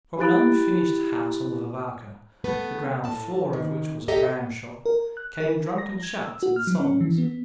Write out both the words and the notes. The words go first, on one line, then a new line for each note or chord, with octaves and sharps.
From an unfinished house on the Varvarka, the ground floor of which was a dramshop, came drunken shouts and songs.
E4 G4 B5 F#6 A6 D7
A3 B3 B4
A2 A5
D#3
G4 A4 D#5 E5 G5 A#5
A#4
F#6
A#4
A#6
G#6
E6
F#4
F6
F#3
C#4
E3
B3